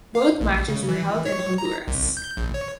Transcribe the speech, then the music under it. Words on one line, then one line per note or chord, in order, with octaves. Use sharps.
Both matches were held in Honduras.
F5
A#1
C#3
E3
C#5
A#5
C2
G6
A#1
C#5